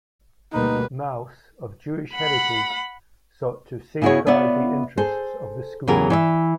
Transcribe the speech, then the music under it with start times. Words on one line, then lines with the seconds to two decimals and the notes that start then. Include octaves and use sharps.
Mauss, of Jewish heritage, sought to "safeguard the interests" of the school.
0.53 D2 B2 G3 A#3 D#4 B4
2.13 F#5 B5
4.02 C#3 B3 E4 F#4 G#4 C#5
4.27 B3 F4 C#5 D5 E5 F#5
4.97 G#4 A4 C5
5.87 E2 C#3 E3 F#3 G4 A#4
6.10 E3 C#5 E5